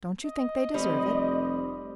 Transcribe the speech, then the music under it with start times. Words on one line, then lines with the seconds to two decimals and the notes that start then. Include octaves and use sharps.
Don't you think they deserve it?
0.25 D#5
0.74 F1 G3 C5 B5 D#6